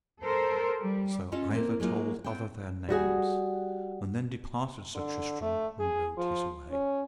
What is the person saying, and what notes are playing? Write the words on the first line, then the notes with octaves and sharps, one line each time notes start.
And so either told other their names, and then departed Sir Tristram and rode his way.
A4 A#4 C5
G3
C#4 F4 A4 D#5
A#3 C4 E4
F#3 G#3 A#3 D#4 F4
B3 C4 G5
G3 F#4 G#4
D3
A3
G#4
F3
C#4